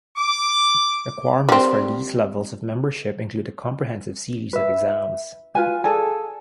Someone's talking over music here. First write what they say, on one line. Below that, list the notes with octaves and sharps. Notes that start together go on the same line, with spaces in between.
Requirements for these levels of membership include a comprehensive series of exams.
D6
G3 C4
B4 E5
F4 B4 G#5
G#4 A4 D5 G#5